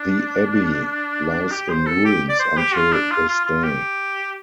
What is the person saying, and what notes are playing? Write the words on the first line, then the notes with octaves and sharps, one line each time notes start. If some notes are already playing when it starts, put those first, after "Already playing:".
The abbey lies in ruins until this day.
Already playing: D4
G4
C5
A4
G4
D5
C5
G4
F4
D4
F4
F4
F4
G4